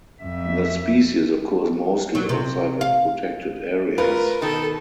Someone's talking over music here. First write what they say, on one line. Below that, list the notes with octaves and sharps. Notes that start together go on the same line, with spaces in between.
The species occurs mostly outside of protected areas.
F2 E5
F#3
C3
F5
F4 A#4 B4 C#5
B2 D#3 A4